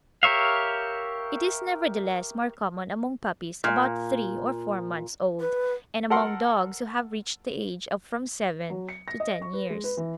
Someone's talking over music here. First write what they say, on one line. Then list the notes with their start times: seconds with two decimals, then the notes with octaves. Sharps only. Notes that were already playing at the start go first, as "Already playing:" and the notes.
It is, nevertheless, more common among puppies about three or four months old, and among dogs who have reached the age of from seven to ten years.
0.23 G4 A#4 C#5 E5 F5
3.64 A#2
5.40 B4
6.10 A4 A#4 F#5 C6
8.70 F#3
8.89 C#7
9.08 A#6
9.20 D#5
9.42 C#6
9.53 B4
9.70 G#3
9.84 B4
9.97 E3